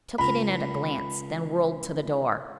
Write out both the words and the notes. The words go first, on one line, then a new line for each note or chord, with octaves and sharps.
He took it in at a glance; then whirled to the door.
C#2 A#4 B5